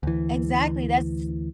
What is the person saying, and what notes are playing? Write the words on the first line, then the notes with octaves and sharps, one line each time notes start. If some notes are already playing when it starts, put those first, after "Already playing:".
Exactly, that's
D2 E3